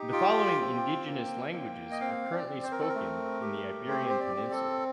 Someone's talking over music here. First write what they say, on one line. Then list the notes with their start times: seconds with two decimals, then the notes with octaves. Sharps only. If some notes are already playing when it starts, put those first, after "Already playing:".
The following indigenous languages are currently spoken in the Iberian Peninsula.
Already playing: D#4 G4
0.12 F4 G5
0.60 C4
1.06 A#3
1.53 A#3
1.91 D#5
2.00 C4 F5
2.32 D5
2.48 C4
2.63 C5
2.72 A#4
2.81 A4
2.89 A#4
2.95 A3
3.41 G4
3.89 C4 C5
4.09 C5
4.20 D5
4.36 C4
4.51 A4